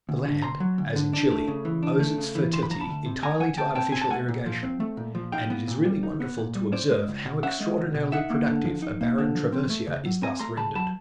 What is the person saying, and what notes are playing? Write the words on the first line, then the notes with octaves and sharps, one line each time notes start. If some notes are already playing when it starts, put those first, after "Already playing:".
The land, as in Chile, owes its fertility entirely to artificial irrigation; and it is really wonderful to observe how extraordinarily productive a barren traversia is thus rendered.
D2
D3
D2 A#5 C6
F#3
D2
D3
D4
A3
C#3
E3
D4
A3
C#3
E3
D2 C6
B5
F3 A#5
A5 B5
D2
C3
D2 G#5 A#5
F3 F#5 G#5
D2 G5 A5
C3 G5 A5
C4 G#5
A5
A3 F#5 G#5
A#2
F3
C4
A3
A#2
F3
D#4 F5 G5
B3
A#2
G3
D#4
B3
A#2
G3
C#4 C5 D5
G#3
C#2
B2
C#4 E5 F#5
G#3
C#2
B2
D#4 E5 F#5
A#3
D3
F3
D#4
A#3
D3
F3
C4
A3
C#3
F#3
C4 G#5 A#5
A3 A#5 C6
C#3 A5 B5
F#3 A5 B5